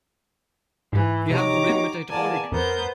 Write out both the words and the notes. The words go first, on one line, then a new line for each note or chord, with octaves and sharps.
Wir haben Probleme mit der Hydraulik.
G#2 E3
C3 D#4 G4 C#5 A#5 D6
B3
E2 A#3 D5 G#5 A5
F2 B3 A#4 C5 G6